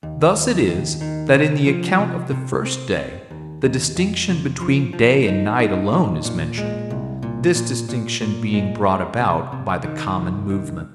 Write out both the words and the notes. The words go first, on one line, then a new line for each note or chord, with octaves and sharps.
Thus it is, that in the account of the first day the distinction between day and night alone is mentioned; this distinction being brought about by the common movement of the heavens.
D#2
D#2
D#2
D#3
C3
F3
C3
C3
C4
C4
D#2
D#2
F2
C3
F3
F3
D#4
D#4
A#2
A#2
G#3
C2
A#2
A#2
A#2
A#2
G#3
G#3
C3
C3
D#3
C2
D#3